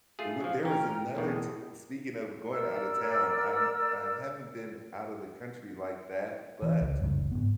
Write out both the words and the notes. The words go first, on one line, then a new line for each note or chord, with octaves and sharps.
uh, there was another t speaking of going out of town, I'm I haven't been out of the country like that, but,
A3 F4 G#4
F3 F#3 F5
A1 C#4 G5 A#5 F6
B1 E2 A2 G#4 A#4
A#4 D5 E6
E3
C#2
F#1 C#2 G2
G#2 B3